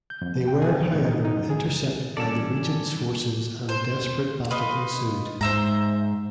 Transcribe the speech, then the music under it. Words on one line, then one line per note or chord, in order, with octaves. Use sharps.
They were, however, intercepted by the regent's forces, and a desperate battle ensued.
G6
F2
B2
G5
G#4
C2
A2
D#4
D#4
F#2
G#4
C#2
G#2 E3 G3 C#4 A4 D5 A5
C5
F4 B4 D#5
G#2 C5 E5 A#5